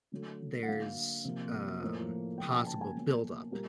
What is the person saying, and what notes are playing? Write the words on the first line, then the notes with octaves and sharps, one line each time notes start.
there's, um possible buildup,
D3 F#3 A3
F#5
D3 F#3 A#3 F5
C3 F3 A#3
A2 F3 A#3
C#3 F3 A#3 G5
G#5
A5
G#5
B2 F#3 A#3
A#2 G3 A#3